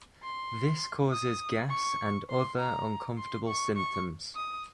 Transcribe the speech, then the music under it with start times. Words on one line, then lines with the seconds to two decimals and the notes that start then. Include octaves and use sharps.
This causes gas and other uncomfortable symptoms.
0.23 C6
1.12 D#6
1.70 C#6
2.30 C6
2.59 A#5
3.18 C6
3.47 C#6
3.77 C#6
4.36 D#6